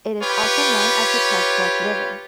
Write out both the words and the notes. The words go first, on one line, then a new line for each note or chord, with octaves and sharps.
It is also known as the Tug Fork River.
F4 G4 B4 C#5